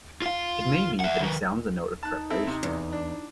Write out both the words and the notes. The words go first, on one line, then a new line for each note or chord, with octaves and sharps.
It may be that he sounds a note of preparation.
F4 F5
E5 F#5
D#3 B4
D#4 A5 F#6
C4 E4 A4
C3
E2
D4